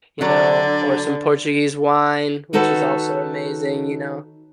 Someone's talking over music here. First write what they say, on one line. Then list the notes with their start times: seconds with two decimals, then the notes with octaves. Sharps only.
you know, or some Portuguese wine, which is also amazing, you know?
0.21 D3 F#3 D4 D5
2.53 D#3 D#4 F#4 A4 B4 C#5